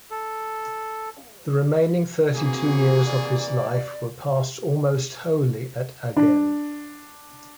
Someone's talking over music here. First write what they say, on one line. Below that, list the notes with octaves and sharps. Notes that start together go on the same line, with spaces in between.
The remaining thirty-two years of his life were passed almost wholly at Agen.
A4
E3 A#3 C4 F#4 G#4
D5
D4